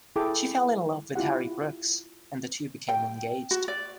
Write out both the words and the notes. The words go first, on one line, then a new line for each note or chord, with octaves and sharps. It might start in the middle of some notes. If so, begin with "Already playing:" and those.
She fell in love with Harry Brookes, and the two became engaged.
E4 G#4 A4 G5 D6
E4 F4 G4 F#5
G5
F#4
D5